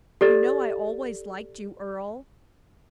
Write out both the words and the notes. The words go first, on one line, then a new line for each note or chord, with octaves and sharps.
"You know I always liked you, Earle."
G4 A4 D5 A6